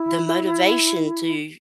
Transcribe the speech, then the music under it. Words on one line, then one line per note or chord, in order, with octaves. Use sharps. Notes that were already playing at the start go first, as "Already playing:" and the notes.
the motivation to
Already playing: E4